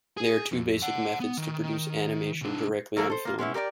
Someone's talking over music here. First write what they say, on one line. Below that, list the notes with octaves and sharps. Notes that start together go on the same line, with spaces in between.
There are two basic methods to produce animation directly on film.
G#4
F2
D5 F#5
B3
D#3
C2 D4
E3 F#3 A3 A#3 G#4 A4
A4 C5
A#3 F4
G#3 B3 C#4 E4
G4 A#4 C5 D5